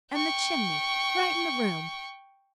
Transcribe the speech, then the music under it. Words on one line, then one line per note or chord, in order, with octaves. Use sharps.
And the chimney right in the room!
G5 C#6